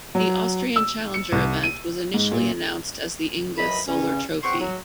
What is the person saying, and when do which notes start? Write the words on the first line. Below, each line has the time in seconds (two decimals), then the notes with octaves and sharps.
The Austrian Challenger event was initially announced as the Inge Solar Trophy.
0.15 F#3
0.76 E6
1.14 C#7
1.32 C2
1.64 D#7
2.14 G#2
2.32 A#2
3.58 D#2 E3 F#3 D#5 B5
3.88 E2 G2 C#3 C#4
4.43 E2 C4 F#5 G5 C6 C#6
4.60 F#3